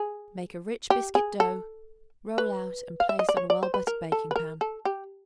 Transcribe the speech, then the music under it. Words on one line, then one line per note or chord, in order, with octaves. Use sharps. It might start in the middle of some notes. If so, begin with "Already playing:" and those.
Make a rich biscuit dough, roll out and place on a well-buttered baking-pan.
Already playing: G#4
G4
G#4
A4
B4
F5
E5
D#5
D5
C#5
D5
C5
B4
A#4
A4
B4
A#4
A4
G4